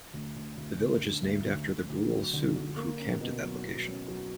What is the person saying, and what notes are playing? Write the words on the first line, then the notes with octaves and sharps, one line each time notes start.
The village is named after the Brule Sioux, who camped at that location.
D2
D2
D2
D2
D3
D2
D2
D2
D2
F#3
D3
D3
A#3
C#4
B2
F#3
B2
C#4
F#3